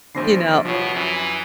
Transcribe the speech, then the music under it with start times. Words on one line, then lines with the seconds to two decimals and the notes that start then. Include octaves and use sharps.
you know
0.15 A#1 D3 C4 C5 A#6 C7
0.65 C2 B2 F3 C#5
0.96 F#2 E3